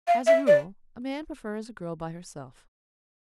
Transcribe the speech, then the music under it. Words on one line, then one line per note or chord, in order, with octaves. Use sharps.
As a rule, a man prefers a girl by herself.
F5
E5
D5